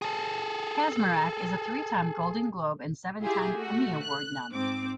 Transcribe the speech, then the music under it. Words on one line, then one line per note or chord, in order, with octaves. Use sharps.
Kaczmarek is a three-time Golden Globe and seven-time Emmy Award nominee.
G#4 A4
E4 F4 G4 G#4
A3 F#4
F#6
G#2 C4 D6